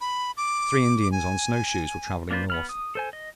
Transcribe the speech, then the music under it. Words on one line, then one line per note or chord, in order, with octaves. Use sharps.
Three Indians on snow-shoes were traveling north.
B5
D6
G#5
A#3 D4 F4 B4 C5
B3 B5 F6
D#6
A4 C5 G#5
D#5